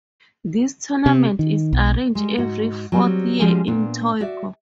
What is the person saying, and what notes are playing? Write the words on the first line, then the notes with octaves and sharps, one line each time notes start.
This tournament is arranged every fourth year in Tokyo.
C3
D#3
B1
G3 G#3
G#2 F#4
F#3 G3 C4
F3 G3 G#3 C#4 F#4 G#4
A#2 B3 D4
F#4 D5 E5